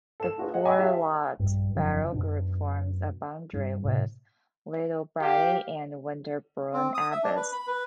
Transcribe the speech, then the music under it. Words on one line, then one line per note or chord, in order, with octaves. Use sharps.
The Poor Lot barrow group forms a boundary with Littlebredy and Winterbourne Abbas.
A4 E7
F4 F#4 G#4 B4
G#4 D#5 F#5
D#5 G5 G#5 B5 D6
G4 E5 F5 A5
A#1 G2
E1 F#2 C#3 F3
F#2 B2 D4
G2
A2 C3
G4 F5
C4
D#6
E5
D4
B4
B5
B4